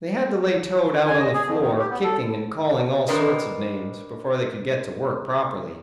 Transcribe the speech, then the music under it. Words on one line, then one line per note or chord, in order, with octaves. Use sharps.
They had to lay Toad out on the floor, kicking and calling all sorts of names, before they could get to work properly.
G#5
D#5
G#4
F2
D#3
G4
B3
A4
D#3 C4 D4 A#4 B4 D#5